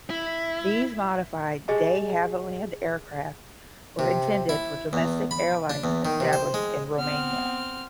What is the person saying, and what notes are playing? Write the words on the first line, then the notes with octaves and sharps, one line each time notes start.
These modified De Havilland aircraft were intended for domestic airlines established in Romania.
E4
G4 G#4 D#5 G#5 A5
C3
E4
E2
B5
D4
E2
D#3
C3
C5
G#3
B3 C4 F6